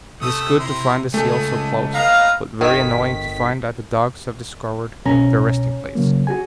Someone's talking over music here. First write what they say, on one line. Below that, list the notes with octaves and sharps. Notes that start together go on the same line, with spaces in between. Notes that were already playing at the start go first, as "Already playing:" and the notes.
It is good to find the seals so close, but very annoying to find that the dogs have discovered their resting-place.
C3 A3 D#6 E6
E4 A#5 C6
C#3 G#3 A3 G#4
B3 D#5 F5 A#5
G1 D#3 G#4 B6
C2 B2 C#4 A#5
C#3 F#3 A#3
F#4 G#4 G#5